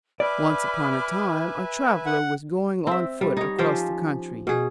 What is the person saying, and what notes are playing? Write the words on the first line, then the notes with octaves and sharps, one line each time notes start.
Once upon a time, a traveler was going on foot across the country.
B4 D5 E5 G#5 B5 D6 F6
F#5
C4 E5
G3
D#4 C#5
F3 C#4 G4 C5
B2 G#4